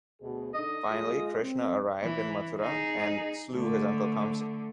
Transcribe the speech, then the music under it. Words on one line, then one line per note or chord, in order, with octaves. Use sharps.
Finally, Krishna arrived in Mathura and slew his uncle Kamsa.
D2 B2 G#4
D3 D4 D#4 D#5
G#3 F4
C4
E3
D#4 G#4
D3 A3